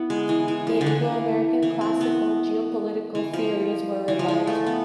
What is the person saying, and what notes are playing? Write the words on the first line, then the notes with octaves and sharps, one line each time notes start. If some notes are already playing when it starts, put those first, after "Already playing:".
The Anglo-American classical geopolitical theories were revived.
Already playing: B3 E4
G#3
E3
E3
F3
D3
E3
E3
C4
B3
E3
F3
E3
F3
G#3
A3
B3